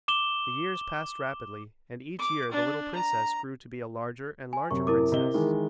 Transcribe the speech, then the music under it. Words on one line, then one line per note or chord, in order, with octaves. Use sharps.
The years passed rapidly and each year the little princess grew to be a larger and larger princess.
D6 E7 G7
D6
D4
A#5
G#5
F#2 C3 C#6
E4 A#4 D6
C3 D#5 G7
D#3 E3 G#3